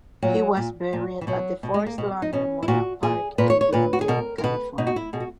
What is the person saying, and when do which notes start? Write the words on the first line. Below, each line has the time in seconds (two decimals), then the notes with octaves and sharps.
He was buried at the Forest Lawn Memorial Park in Glendale, California.
0.22 A#2 F#3
0.57 A#2
0.93 A#2
1.21 E3
1.27 B2 F#3
1.63 B2
1.74 G#3
1.86 A#3
1.98 B2
2.22 D#4
2.33 B2 C#4
2.63 E4
2.68 A#2 F#4
3.03 A#2 G#4
3.38 A#2 B4
3.50 C#5
3.61 C#5
3.73 A#2 B4
3.93 F#4
4.01 G#4
4.08 B2 A#4
4.38 A#4
4.44 B2 B4
4.78 B2 D#4
4.87 F#4
4.96 E4
5.13 B2 G#4
5.20 F#4